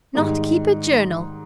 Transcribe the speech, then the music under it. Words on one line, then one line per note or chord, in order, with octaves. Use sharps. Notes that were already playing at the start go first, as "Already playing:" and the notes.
Not keep a journal!
G#2 D#3 G3 D#4